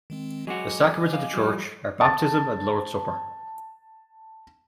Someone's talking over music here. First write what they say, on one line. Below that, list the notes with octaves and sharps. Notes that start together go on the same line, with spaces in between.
The sacraments of the church are baptism and the Lord's Supper.
D#3 G#3 C4
F#3 G#3 F#4 D#5 G#5 D6
F#2 F5
F3 G3
A5 A6